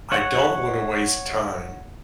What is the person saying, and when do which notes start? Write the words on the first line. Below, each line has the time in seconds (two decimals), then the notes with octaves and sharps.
"I don't want to waste time,"
0.12 C#5 F#5